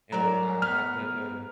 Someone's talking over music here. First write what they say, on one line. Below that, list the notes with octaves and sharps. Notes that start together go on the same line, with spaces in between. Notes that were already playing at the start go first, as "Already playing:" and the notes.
and I I'll catch her
F#3 A#4 D5 A#5
B3 F6